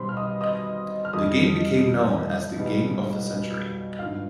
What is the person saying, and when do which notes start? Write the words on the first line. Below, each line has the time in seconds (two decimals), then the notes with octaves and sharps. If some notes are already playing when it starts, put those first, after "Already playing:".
The game became known as the game of the century.
Already playing: B1 B2 G3 C5 B5 C6
0.09 F6
0.17 D#5 D#6
0.41 D#5 D#6
1.05 F6
1.13 F2 D#3 G3 D#5 D#6
2.56 B1 B2 G3
3.99 G#1 G2 F3 F5 F6